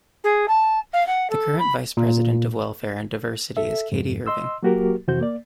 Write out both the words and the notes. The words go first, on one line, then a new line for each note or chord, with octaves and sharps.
The current Vice President of Welfare and Diversity is Katie Irving.
G#4
A5
F5
F#5
A4
B5
A#2
A4 E5
F2 G#2
D#5 C6 E6
F#3 A#3 F#4 G4 A#4
F2 C3 E3 F#4 C5 G6
A#3 D5